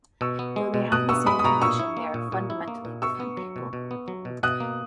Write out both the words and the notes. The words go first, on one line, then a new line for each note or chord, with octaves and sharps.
Though they have the same condition they are fundamentally different people.
B2 C#6 E6
B3
G#3
B2
B2 D#6 F#6
B3 C#6 E6
G#3 B5 D#6
D#6
B2 A#5 C#6
A#2 C#6 E6
E4
A#3
A#2
A#2
E4
A#3
A#2
B2 C#6 E6
B3
F#3
B2
B2
B3
F#3
B2
B2 D#6 F#6
A#3